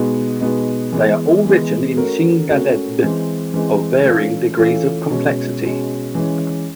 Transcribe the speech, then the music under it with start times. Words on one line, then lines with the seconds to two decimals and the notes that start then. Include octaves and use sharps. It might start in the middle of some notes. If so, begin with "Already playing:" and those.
They are all written in cynghanedd of varying degrees of complexity.
Already playing: B2 G#3 B3 D#4
0.40 B2 G#3 B3 D#4
0.92 E3 G#3 B3
1.45 E3 G#3 B3
1.97 A3 C#4 F#4 A#4
2.49 A3 C#4 F#4 A#4
3.02 E3 G#3 C4
3.54 E3 G#3 C4
4.06 E3 A3 C#4 F4 A4
4.58 E3 A3 C#4 F4 A4
5.10 B2 G#3 C#4
5.63 B2 G#3 C#4
6.15 E3 G#3 C#4